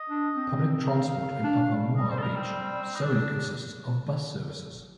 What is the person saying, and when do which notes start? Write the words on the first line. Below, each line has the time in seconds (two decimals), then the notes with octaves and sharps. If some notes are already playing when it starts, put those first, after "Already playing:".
Public transport in Papamoa Beach solely consists of bus services.
Already playing: D#5
0.10 D4
0.36 C4
0.90 F5
1.44 D4
1.69 G3
1.96 G3 D#5
2.10 C5
2.18 A4
2.22 A#4
2.36 C4
2.96 D#4
3.03 D4